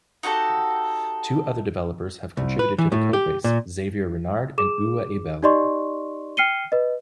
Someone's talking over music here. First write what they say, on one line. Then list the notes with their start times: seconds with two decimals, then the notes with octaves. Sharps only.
Two other developers have contributed to the code base: Xavier Renard and Uwe Ebel.
0.23 D#4 F#4 G4 A4
2.37 C2
2.59 B4
2.78 E3
2.92 A2
3.13 G4
3.44 A#2
4.58 G#4 D6 E7
5.43 D#4 G4 D5 D#5 C6 C#6
6.37 G5 F6 C7 C#7 D#7 G7
6.72 B4 D#5